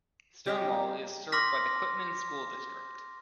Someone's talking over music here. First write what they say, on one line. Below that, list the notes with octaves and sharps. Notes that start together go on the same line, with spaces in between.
Stonewall is served by the Quitman School District.
G3 C4 G4 C#5 D#5 G5
C6 D6 F6 A#6 B6